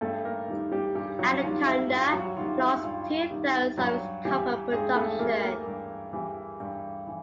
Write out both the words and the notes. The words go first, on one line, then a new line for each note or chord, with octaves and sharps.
Anaconda lost two-thirds of its copper production.
G2 A3 A4
A#3 A#4
D#3 G3
G3 G4
G2 G3 G4
F#3 F#4
D#3 G3 F4
E4
G2 F4
F#3 F#4
D#3 G3 F4
E4
G2 F4
D#3 G3
G2 F#3 F#4
E3 G3 G4
G2 G#3 G#4
A3 A4
E3 G3 A#3 A#4
A#3 A#4
G2
E3 G3
G2
E3